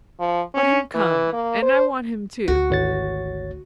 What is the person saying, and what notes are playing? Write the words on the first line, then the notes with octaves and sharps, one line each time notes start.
Let him come, and I want him, too.
F3
C#4
E3
A#3
C5
D2 F#4
G#1 C#5 A6